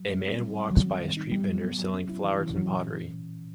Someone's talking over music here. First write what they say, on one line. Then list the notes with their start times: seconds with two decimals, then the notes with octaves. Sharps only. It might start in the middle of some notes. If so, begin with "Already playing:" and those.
A man walks by a street vendor selling flowers and pottery.
Already playing: F#3
0.09 G3
0.24 C4
0.39 G3
0.55 G3
0.71 D#3 F#3
0.85 C4
1.01 D#3
1.17 D#4
1.32 G3 B3
1.47 F#3
1.63 B3
1.79 F#3
1.94 C#4
2.09 E4
2.24 E3
2.40 E3
2.56 F#3 C#4
2.70 A#2